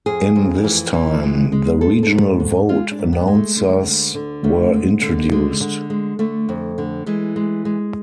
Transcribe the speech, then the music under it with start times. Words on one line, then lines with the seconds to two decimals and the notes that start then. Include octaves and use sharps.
In this time, the regional vote announcers were introduced.
0.06 F2 G#4
0.36 F2
0.64 E3
0.94 E3
1.23 G#3
1.52 G#3
1.81 G#3 A4
2.03 A4
2.10 G#2
2.40 G#2
2.69 G#3 F4
2.91 D4
2.99 G#2
3.13 B3
3.27 G#3
3.35 A3
3.56 D3 G#3
3.86 D2
4.15 D3
4.44 D2 A3
4.73 G#3
5.02 D3
5.32 D3 G#3
5.60 D3
5.90 G#3
6.19 D3 A3
6.49 F2
6.78 D3
7.06 E3 G#3
7.36 G#3
7.65 G#3